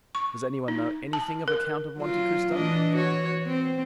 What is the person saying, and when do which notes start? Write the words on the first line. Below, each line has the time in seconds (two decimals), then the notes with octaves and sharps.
"Does any one know anything of a Count of Monte Cristo?"
0.15 C#6
0.68 D#4
1.13 A5
1.48 A#4
1.98 F#3 F4
2.54 E3 D4 D#5
2.96 F#4 C#5
3.47 C4